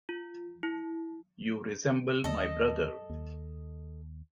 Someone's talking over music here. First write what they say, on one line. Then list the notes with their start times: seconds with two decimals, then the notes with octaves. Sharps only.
You resemble my brother.
0.09 F4
0.63 E4
2.24 D#2 A4 D#5
3.10 D#2